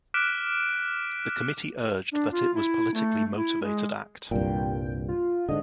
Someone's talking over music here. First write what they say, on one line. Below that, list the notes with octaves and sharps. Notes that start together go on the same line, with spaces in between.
The committee urged that it was politically motivated act.
D6 F6 F#6 B6 D7 E7
D4
F4
E4
A3
E4
G#3
C2 G2 A#2 G5
F4
G#2 D3 D#5